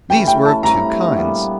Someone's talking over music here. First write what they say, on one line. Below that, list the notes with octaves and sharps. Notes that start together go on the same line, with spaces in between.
These were of two kinds.
E3 A3 C#4 G5
G5
A5
G2 E3 A3 C4 A#5
A#2 G3 B3